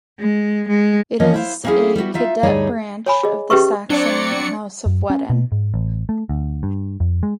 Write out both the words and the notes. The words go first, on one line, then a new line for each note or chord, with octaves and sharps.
It is a cadet branch of the Saxon House of Wettin.
G#3
G#3
E3 F3 B3 C#4 C#5 D#5
E4 C5 F5
F#3 A#3 C4 C#4 E4 G#4
G3 B3 F4 F#4
D#4 F4 E5 F5
D2 G2 G3 D#4 G#4 C#5
C#5 G#5 B5
G#4 D#5
C#4 G4 G#4 B4 E5 C#6
F#3 C4 D4 D5 C#7
F#2
C#4
B2
G#2
A1
A3
D2
G2
F2
G#3